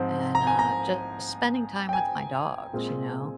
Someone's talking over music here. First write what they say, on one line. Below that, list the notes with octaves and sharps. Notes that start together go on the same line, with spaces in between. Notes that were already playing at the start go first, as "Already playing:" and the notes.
And, uh, just spending time with my dogs, you know?
Already playing: G#2 F3 C4
A#5
G#5
A#5
G5
G#5
A#2 G#3 C4 F4